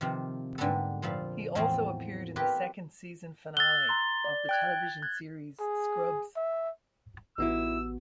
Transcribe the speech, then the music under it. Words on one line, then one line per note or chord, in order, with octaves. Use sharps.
He also appeared in the second season finale of the television series "Scrubs".
C3 D#3 F3
G#2 D3 G3 A#3 B3 A4
F2 A#2 F3 A4 F5 B5
E2 A2 F3 G#3 C4 F4
E4 F4 G4 A#4 B4
E6 F#6 A6 G7
A#5 C6
D5
G5 F#6 G#6
F#6 G#6
G#4
E5
A1 B3 D#4 E4 F#4 E6